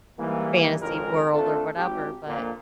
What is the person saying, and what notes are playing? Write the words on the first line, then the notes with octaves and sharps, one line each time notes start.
fantasy world or whatever, but
G#2 E3 G3 A#3
G#1 F2 G#2 C#3 G#3 A#4
A3 C4 D4 F4 A4
G#1 G4
F2 A#2 D3 A#3